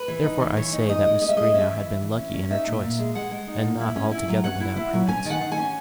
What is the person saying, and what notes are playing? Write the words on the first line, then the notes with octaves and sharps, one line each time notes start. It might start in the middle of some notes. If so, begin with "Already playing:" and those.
Therefore, I say that Mrs. Greenow had been lucky in her choice, and not altogether without prudence.
Already playing: B4
E3
D#4
E3
E3 C#5
D#4
D#4 D#5
G#3
C#4 D#5
E5
G#3 D#5
C#4 E5
E3
E3
E3
C#4
C#4
D#4 E5
A#2
A#2
G#3
G#3 F#5
G#3
D#4
A#2
E4
C#4
E4
F#3
C#4 F#5
E4
E4
F#3
C#4 G#5
D#3 F#5
D#3
G#5
C#4